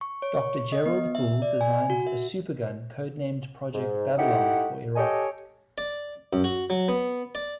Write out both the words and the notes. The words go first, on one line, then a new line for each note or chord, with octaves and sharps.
Doctor Gerald Bull designs a supergun codenamed Project Babylon for Iraq.
C#6
C#5
C#6
D#5
B3
E5
D5
G#5
F#4
E5
G#2
A3 D#4 E4 G4 F#5
G4 A4 C#5 D#5 G5 G#5
D5
F#2
F#4
F#3
B3
D5